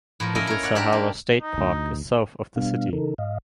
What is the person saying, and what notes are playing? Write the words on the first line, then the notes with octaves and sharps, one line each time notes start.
Little Sahara State Park is south of the city.
A2 F3 A#4
A#3 C#4 E4 A#4 D#5
A#4 C#5
C#5 D5 F#5
D4 G4 A#4
A#3
D#4
D2
B2 G3 B3 D4 F5
C#3 E3 D#4 A4 A#4
G#2 D#5 F5